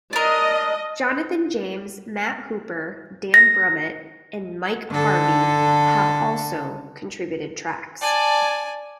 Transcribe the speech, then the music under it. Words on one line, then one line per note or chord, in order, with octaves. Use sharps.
Jonathan James, Matt Hooper, Dan Brummitt and Mike Harvie have also contributed tracks.
D4 A#4 D#5
A#6
D3 A4
D5 G#5 A5